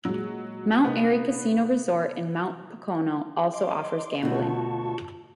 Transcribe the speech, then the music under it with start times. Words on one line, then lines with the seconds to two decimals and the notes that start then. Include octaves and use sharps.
Mount Airy Casino Resort in Mount Pocono also offers gambling.
0.05 A#2 F#3 G#3
0.85 C3 A#3 B3 D#4
3.54 D#5 C6 D6
4.23 D2 B2 E4
4.35 F4 A5 C#6